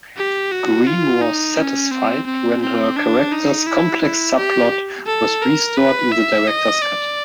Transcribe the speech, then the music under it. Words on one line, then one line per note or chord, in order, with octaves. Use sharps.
Green was satisfied when her character's complex subplot was restored in the director's cut.
G4
F#4
F4
D#4
C#4
C4
C4
C4
D4
D#4
E4
E4
G4
A4
A#4
B4
E5
D#5
D5